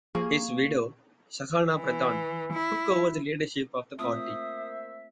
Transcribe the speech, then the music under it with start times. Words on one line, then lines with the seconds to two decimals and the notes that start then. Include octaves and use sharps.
His widow, Sahana Pradhan, took over the leadership of the party.
0.15 F3 A#3 G#4 C#6
1.75 E3
2.53 E4
3.99 A3 A#3 C4 F4 C5 E5 D#6